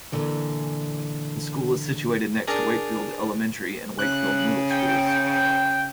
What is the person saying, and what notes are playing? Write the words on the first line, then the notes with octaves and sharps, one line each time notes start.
The school is situated next to Wakefield Elementary and Wakefield Middle schools.
A#2 D3 E3
D4 G#4 A#4
C#3 F#6
G5